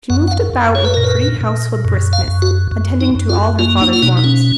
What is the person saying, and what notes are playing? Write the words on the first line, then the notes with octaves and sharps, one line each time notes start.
She moved about with pretty household briskness, attending to all her father's wants.
F#2 F#5
F#5
F5
F#2
C#5
B4
A#2 A#4
B4
A#2
F#2
F5
F#2
F#4
F#2
D#4
F#2
F4
A#3 F4
D#4
F4
B2 D#4
D#4
C#4